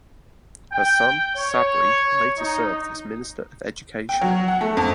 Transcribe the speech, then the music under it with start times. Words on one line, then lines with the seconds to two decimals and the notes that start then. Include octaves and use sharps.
Her son Sabri later served as Minister of Education.
0.73 G5
1.36 C#5
2.38 D#4
4.09 G5
4.21 F#3
4.48 F#5
4.61 A3
4.77 F2